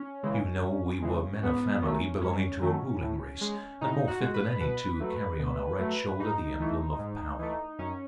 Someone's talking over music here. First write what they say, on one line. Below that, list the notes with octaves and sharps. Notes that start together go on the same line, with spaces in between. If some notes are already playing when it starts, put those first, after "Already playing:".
You know we were men of family, belonging to a ruling race, and more fit than any to carry on our right shoulder the emblem of power.
Already playing: C#4
C#3 E3 G#3
F#2
C#3 E3 G#3
G#2 B3
D#3 F#3 A3 C#4
G#2 C#4
D#3 F#3 A3
A2
G#3
A2 D#4
F#4
G#3
B4
B2 B4
F#3 A3
B2
F#3 A3
G#2 D#4
E3 A3
G#2
E3 A3
F#2 C#4